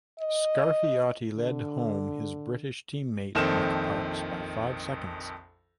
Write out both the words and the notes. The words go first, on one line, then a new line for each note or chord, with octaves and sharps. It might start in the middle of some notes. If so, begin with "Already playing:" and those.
Scarfiotti led home his British team mate Mike Parkes by five seconds.
D#5
D3
A#1 F2 D#3 A4 C5 E7